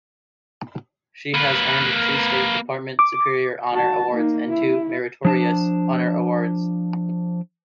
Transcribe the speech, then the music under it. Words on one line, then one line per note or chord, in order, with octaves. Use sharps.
She has earned two State Department Superior Honor Awards and two Meritorious Honor Awards.
A#3 B4
D6
F#4 A5
A#3 D#4
E4
F3 D4 A5